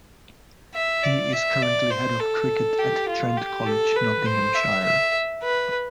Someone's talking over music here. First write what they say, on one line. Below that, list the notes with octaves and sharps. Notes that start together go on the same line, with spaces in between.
He is currently Head of Cricket at Trent College, Nottinghamshire.
E5
D5
E5
D5
C5
A4
G4
F4
G4
A4
B4
C5
E5
E5
B4